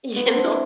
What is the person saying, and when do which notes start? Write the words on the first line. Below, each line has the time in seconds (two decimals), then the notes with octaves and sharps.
you know.
0.16 B3
0.26 C4
0.35 D4
0.44 E4